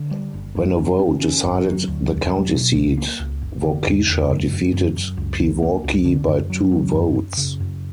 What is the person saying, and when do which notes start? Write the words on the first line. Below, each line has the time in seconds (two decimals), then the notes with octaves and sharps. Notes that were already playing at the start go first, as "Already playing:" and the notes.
When a vote decided the county seat, Waukesha defeated Pewaukee by two votes.
Already playing: D3
0.11 G3
0.34 F#1
0.56 F#2
0.78 C#4
0.99 C#4
1.21 C#4
1.44 G1
1.66 F#3
1.87 D2
2.10 E1
2.31 F#3
2.54 B2
2.75 C#2
2.97 A#3
3.20 C#2
3.41 F#1
3.64 D3
3.86 E2
4.08 E2
4.30 F#2
4.52 F#2
4.73 F#2
4.96 F#2
5.17 C#2
5.39 C#2
5.62 A#3
5.84 C#2
6.05 D3
6.28 F#2
6.50 F#3
6.71 F#3
6.94 F#2
7.15 F#2
7.37 C#3
7.60 F#2